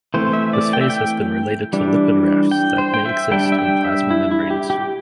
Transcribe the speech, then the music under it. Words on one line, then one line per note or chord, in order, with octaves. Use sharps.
This phase has been related to lipid rafts that may exist in plasma membranes.
E3 A3 C4 C5
E5
D5
G5
E5
G5
E3 G3 D4
G5
C5
G5
E5
G3 D4 G5
E5
G5
E5
E4
E4
G4
G4